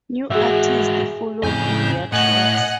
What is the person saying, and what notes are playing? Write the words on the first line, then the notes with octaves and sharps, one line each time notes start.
New artists followed in their tracks.
G#2 F#4 G#4 E5
F2 A2 C#3 G#5 G6
A2 D#5 F#5 G#5 F#6